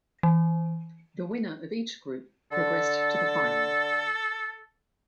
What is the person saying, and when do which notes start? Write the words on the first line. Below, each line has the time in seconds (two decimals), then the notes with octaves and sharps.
The winner of each group progressed to the final.
0.23 E3
2.52 D3 A4